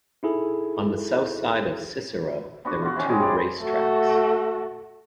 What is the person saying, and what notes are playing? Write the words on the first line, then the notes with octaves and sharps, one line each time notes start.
On the south side of Cicero, there were two racetracks.
D#4 E4 G#4 A4
B3 D4 F#4
F4 F#4
C3 D#3 C#4
G3 G#3 G#4
D5
A3 F#4